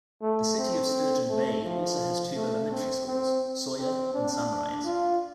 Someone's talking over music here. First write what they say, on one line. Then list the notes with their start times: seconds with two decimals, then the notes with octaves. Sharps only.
The city of Sturgeon Bay also has two elementary schools: Sawyer, and Sunrise.
0.22 A3
0.58 C4
1.30 A3
1.65 F3
2.35 A3
2.72 C4
3.07 C4
3.78 C4
4.14 D4
4.85 F4